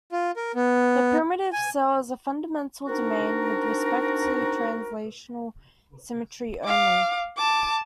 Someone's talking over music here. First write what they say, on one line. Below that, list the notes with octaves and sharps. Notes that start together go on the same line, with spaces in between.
The primitive cell is a fundamental domain with respect to translational symmetry only.
F4
A#4
B3
G#5
C4 D4 D#4 F#4 A#4
F5 D6
A5 D6